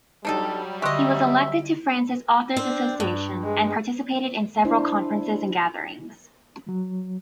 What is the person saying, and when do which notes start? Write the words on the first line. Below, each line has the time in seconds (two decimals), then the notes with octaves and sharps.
He was elected to France's Authors' Association, and participated in several conferences and gatherings.
0.25 F#3 G3 D4 D#4 A4
0.82 D3 G4 D#5 E5 C6 C#6
2.57 C4 D4
3.00 G2
3.43 G#3
4.64 D4 E4 C5
6.69 F#3